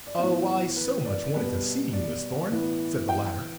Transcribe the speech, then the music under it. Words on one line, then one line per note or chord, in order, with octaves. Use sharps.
"Oh, I so much wanted to see you, Miss Thorn," said the latter.
D5
A2 E3 B3 B4
B4
D5
B2 G3 B3 B4
D5
A2 E3 B3
G5